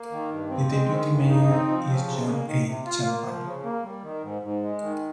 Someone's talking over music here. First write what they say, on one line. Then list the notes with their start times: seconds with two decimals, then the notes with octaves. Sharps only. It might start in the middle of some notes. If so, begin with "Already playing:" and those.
The deputy mayor is John H. Champagne.
Already playing: A#3
0.11 D#3
0.30 G2
0.50 C4
0.70 G#3
0.89 D#3
1.09 G2
1.29 D#4
1.48 C4
1.68 F3
1.88 C#3
2.07 C3
2.27 A#3
2.46 D#3
2.66 C3
2.85 F4
3.05 A#3
3.24 F3
3.44 C#3
3.64 A#3
3.83 G3
4.03 D#3
4.23 G#2
4.42 G#2
4.62 G#3
4.82 D#3